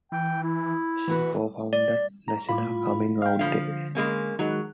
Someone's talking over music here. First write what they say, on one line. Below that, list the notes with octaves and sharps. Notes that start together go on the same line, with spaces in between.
She co-founded National Coming Out Day.
E3 G5
E4
E3 B3 F#4 B4
D5
A#5
A2 F4 B5
F5 G5
D3 F3 F5
G#3 A#3 C#4
D#3 F#3 G#3